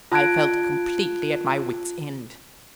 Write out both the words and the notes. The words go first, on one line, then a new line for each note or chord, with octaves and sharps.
I felt completely at my wit's end!
F4 A5 F#6 G#6 D7